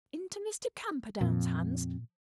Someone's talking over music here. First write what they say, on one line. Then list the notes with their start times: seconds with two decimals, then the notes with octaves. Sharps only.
"Into Mr. Camperdown's hands!"
1.21 F2 A#2